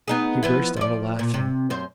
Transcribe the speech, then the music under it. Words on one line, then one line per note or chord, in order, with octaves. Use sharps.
He burst out a-laughing.
B3 D#4 G#4
F3 B3 E4
F3 D5
A#2
C3
F#2 C5